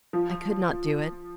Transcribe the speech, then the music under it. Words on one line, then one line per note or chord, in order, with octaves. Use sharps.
I could not do it.
F3